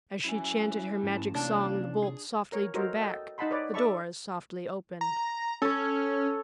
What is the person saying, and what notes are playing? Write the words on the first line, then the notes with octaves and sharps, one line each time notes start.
As she chanted her Magic Song the bolts softly drew back, the doors softly opened.
F#2 E4 G#5
A1 G#2 A5
C3 A#3 D4 F4 C#5
G#4
A#4 C#5
F#4 A4 A#4 C5 C#5 D#5
A4 D#5 G5 A5
D#4 D#5 F#5 A5 B5 C6
B4 C#5 D5
A4 D5 E5 A5 B5 C#6
A#5
C#4 A4 C#5